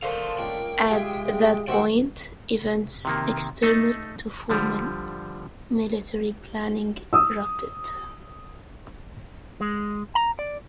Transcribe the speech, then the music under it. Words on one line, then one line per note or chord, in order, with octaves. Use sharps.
At that point, events external to formal military planning erupted.
D3 A3 A#4 C5 F5 A5
C#2 A#2 G5
G#3 F4 G4 G#4 E5
D#2 F#4 C5 E5 F#5 G5
C3 D#3 A#3
A3 D#4 A4
D3 F3 G3
D#6 E6
G#3
A#5
D5